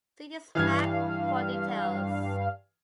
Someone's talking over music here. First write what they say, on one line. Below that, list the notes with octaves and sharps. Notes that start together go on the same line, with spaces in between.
See this map for details.
G2 E3 F5 F6 G#6